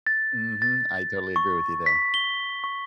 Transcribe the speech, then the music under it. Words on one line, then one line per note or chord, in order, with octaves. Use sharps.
Mhm, I totally agree with you there.
A6
A6
C#6
B6
G7
C#6